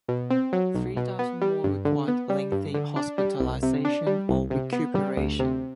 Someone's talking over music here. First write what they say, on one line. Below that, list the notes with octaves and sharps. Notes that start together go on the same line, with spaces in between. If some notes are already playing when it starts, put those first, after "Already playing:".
Three thousand more required lengthy hospitalization or recuperation.
B2
C4
F#3
B1
B2
B3
G3
G2
D3
B3
G3
G2
D3
D4
G3
C2
C3
D4
G3
C2
C3
B3
G3
D2
C3